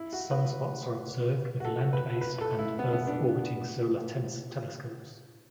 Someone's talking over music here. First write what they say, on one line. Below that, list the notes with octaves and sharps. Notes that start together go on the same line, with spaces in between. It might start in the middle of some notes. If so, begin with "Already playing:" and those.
Sunspots are observed with land-based and Earth-orbiting solar telescopes.
Already playing: E4
F#4
B4
F#4
A4
B4
B4
A4
E4
B3
B3
D4